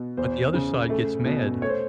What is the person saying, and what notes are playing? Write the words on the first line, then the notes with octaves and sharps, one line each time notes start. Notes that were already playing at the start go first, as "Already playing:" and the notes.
But, the other side gets mad.
Already playing: B2
E2 C5
C#3
A3
B2
A3 C#5
C5